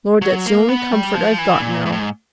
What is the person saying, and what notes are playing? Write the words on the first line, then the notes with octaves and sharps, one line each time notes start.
Lord, that's the only comfort I've got now!
F#3
A#3
B3
G3
F3
E3
A#2
G#2
A2
G#2